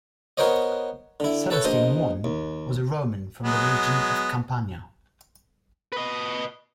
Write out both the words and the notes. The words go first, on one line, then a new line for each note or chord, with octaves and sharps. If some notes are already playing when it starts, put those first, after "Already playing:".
Celestine I was a Roman from the region of Campania.
B3 F#4 A#4 C5 C#5 D#5
D3 E4
A4 B4 C#5 E5 A5
A#1 B2 C5 D#5 D#6
D#2
F#3 G#3 B3
B4 D#5